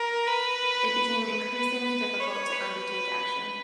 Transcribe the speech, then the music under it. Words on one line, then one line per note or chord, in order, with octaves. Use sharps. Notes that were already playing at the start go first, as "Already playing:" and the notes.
It became increasingly difficult to undertake action.
Already playing: A#4
B4
B4
B4
C#5
B4